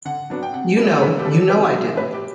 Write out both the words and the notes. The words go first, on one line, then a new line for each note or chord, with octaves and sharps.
You know, you know I do!
D3 F#5
F#3 B3 D4
G5
C3 F#5
G3 B3 D4
A4
A2 B4
G4
G3 D4 A4
C3 B4
F#3 A3 E5
A2 B4
G4